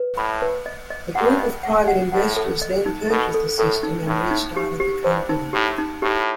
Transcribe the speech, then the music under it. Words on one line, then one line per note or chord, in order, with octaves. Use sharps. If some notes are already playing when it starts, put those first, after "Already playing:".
A group of private investors then purchased the system and restarted the company.
Already playing: B4
A2 B5
B4
D#5
D#5
G2 F#5
D#5
F#5
F#5
A2 F#5
A4
D#5
D#4
B2 A4
A4
A2 A4
D#4
A2 D#4
D#4
G4
G4
G2 C5
D#4
A2 G4
D#4
A2 G4